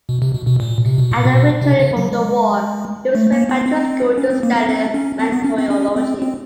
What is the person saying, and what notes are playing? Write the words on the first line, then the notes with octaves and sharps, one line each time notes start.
After returning from the war, Hughes went back to school to study Meteorology.
B2
C3
B2
B2
A#2
C3
B2
A#2
B2
C3
C#3
F#3
G#3
A3
A#3
B3
C4
C#4
C4
A#3
B3
C4
C#4
C4
B3
C#4
C4
C#4
C4
C4